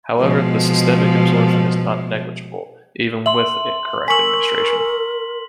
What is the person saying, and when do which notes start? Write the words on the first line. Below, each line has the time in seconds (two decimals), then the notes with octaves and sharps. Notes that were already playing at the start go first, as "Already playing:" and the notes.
However, the systemic absorption is not negligible even with correct administration.
0.17 B2 F3 G#3
3.26 E5 C6 F#7
4.08 A#4 G#5 C#6 E6 B6 F#7